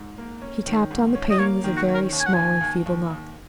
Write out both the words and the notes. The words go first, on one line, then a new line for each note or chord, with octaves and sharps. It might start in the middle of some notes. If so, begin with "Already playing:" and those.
He tapped on the pane with a very small and feeble knock.
Already playing: G#2
A#3
C#4
D#3
G#2
C#4
D#5
A#3 C#5
D#3
F#4
C#4
A#4
D#2
G#5
F#5
D#2 G#5
D#2
D#2
D#2